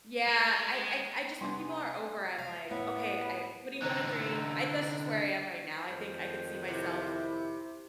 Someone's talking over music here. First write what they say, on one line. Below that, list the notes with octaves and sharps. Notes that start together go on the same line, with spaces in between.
Yeah, I I I just when people are over, I'm, like, "Okay, I what do you wanna drink?" I that's just where I am right now, I think I could see myself
G#3
C3 G3 B3 D4 G#5 C6
F5
A2 B3
D3 D#4
F2 D#3 C5
C3 E4